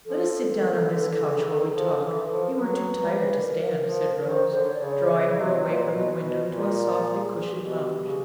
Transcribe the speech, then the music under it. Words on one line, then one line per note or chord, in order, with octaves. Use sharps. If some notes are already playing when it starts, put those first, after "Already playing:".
"Let us sit down on this couch while we talk; you are too tired to stand," said Rose, drawing her away from the window to a softly-cushioned lounge.
F3 A4
D#3
C#3
D3
C#3
D#3
G#4
F3 A4
E3
F3
A#4
F#3 B4
G3
B4
A#4
F3
D#3 C5
D3
C#5
D5
C#3 C#5
C#3 D#5
D#5
C3
A#2
B2
B2
A#2
D5
G#4
F#4
B2 G4
C#3